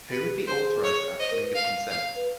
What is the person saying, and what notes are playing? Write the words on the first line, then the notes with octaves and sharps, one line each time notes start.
Who would be authorized to actually give consent?
G4 B4
G#4
G4
G#4 C5
C#5
C5 D#5
A#4
B4
F5
F5
B4